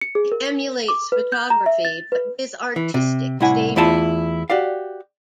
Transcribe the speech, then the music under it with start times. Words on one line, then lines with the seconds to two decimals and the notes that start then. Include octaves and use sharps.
It emulates photography, but with artistic staging.
0.01 C#7
0.15 G#4
0.32 A#4
0.88 D6
1.12 B4
1.32 G6
1.50 A#5
1.66 E5
1.85 A6
2.12 B4
2.76 E3
2.94 C3
3.41 C2 A2 E4 F#5 G#5
3.76 E2 A3 E4 F4 A5
4.50 F#4 G4 D5 F5